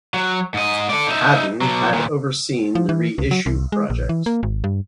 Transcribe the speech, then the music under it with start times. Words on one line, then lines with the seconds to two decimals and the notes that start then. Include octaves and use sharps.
Hadden had overseen the reissue project.
0.14 F#3
0.54 G#2 D#5
0.89 A4 D5
1.07 D#4 E5
1.61 B2 F#3
1.93 D#2 A#2
2.75 F3
2.89 E3
3.18 C#2
3.31 F#3
3.46 C2
3.72 G#3
3.90 A#1
4.09 E3
4.26 A#3
4.43 G#1
4.64 G2